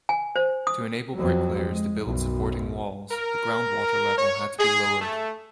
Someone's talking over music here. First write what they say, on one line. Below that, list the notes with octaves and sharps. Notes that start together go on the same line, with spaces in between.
To enable bricklayers to build supporting walls, the groundwater level had to be lowered.
G#5
C5
D#6
F2 F#3
G#3
B1 F#2
A#4
C#5
G#4
A3